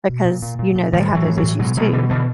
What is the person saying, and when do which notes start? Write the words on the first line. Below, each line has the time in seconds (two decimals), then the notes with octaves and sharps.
because you know they have those issues too.
0.09 B2
0.25 A#2
0.42 A#2
0.59 A#2
0.76 A#2
0.93 A2 D#3 F3
1.10 A2
1.15 E3 F#3
1.26 A2
1.37 E3 F#3
1.42 A2
1.59 B2 F#3 G#3
1.77 B2 F#3 G#3
1.93 B2 D3 E3
2.09 B2 D3 E3